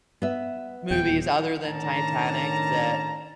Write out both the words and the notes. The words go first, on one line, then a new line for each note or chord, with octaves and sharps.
movies other than Titanic that
B3 E5
D#1 E2 G5
A2 D#3 C#4 D4 A5 A#5